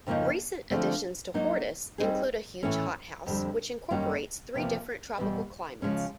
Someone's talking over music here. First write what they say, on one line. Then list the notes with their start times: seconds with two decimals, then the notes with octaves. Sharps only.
Recent additions to Hortus include a huge hothouse, which incorporates three different tropical climates.
0.07 F2 C#3 F3 A#3 D#4
0.70 D3 F3 A3 C4
1.34 F#3 A#3 D#4
1.98 G3 C4 D#4 G#4
2.63 A2 E3 A3 C#4
3.26 F2 D3 G3
3.90 F#2 D#3 G3 A#3 C#4
4.54 E2 C3 F3 A#3
5.18 E2 B2 G3
5.82 C#3 F3 G#3 C#4